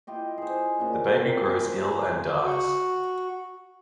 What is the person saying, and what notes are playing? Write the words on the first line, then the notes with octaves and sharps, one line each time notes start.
The baby grows ill and dies.
E4 F4 G4 D#5
G#4 C5
A#2 C#3 D4
A#3 C4
C5 B5
G#5 A#5 C6
F#4